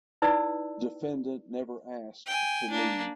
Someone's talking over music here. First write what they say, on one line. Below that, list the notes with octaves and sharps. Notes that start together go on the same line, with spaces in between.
Defendant never asked to leave.
D#4 E4 B4 D5 E6
G5 G#5
A#3 D4